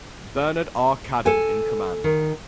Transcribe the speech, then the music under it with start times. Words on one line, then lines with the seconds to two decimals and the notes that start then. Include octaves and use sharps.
Bernard R. Cadden in command.
1.26 A4 G#5
2.04 D#3